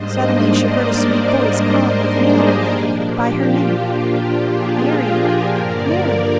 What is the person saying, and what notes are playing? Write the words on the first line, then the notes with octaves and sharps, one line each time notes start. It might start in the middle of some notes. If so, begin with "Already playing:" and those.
Suddenly she heard a sweet voice calling her familiarly by her name, "Mary, Mary!"
Already playing: G#2 G3 A#3 D4 C5 D#5
A#4 D5
G#4 C5
G4 A#4
A#2 F3 A#3 D4
G4
F4
G4
G4
F4 G#4
G4 A#4
G2 D3 F3 A#3 A#4 D5